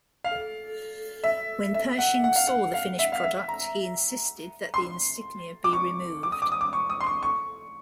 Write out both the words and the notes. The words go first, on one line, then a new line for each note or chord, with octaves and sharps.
When Pershing saw the finished product, he insisted that the insignia be removed.
F5
E5
E5
F#5
F#5
F5
F#5
F5
E5
F5
E5
A#5
C6
D6
C#6
D6
D#6
D6
D#6
D6
C#6
D#6
C6
C#6
C#6